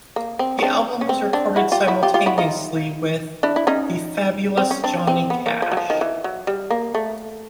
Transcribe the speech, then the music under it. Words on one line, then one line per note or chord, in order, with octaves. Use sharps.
The album was recorded simultaneously with "The Fabulous Johnny Cash".
A#3
C4
C#4
C4 D4
C#4
C4
C4 D4
E4 F#4
F4 G4
E4 F#4
F4 G4
F4 G4
E4 F#4
D#4 F4
D4 E4
E4
C#4 D#4
C4
C#4
C4 D4
C4
B3
A#3
F3
F#3
F3
D#3
E3
F#3
G3
A#3
A3